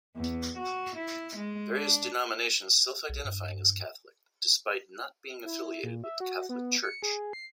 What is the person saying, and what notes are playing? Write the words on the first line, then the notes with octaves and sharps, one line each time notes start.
Various denominations self-identifying as Catholic, despite not being affiliated with the Catholic Church.
E2
F#4
E4
G#3
D4
B1
G2
E4
A#2
E5
F#4
B3
C#7
G#4
C7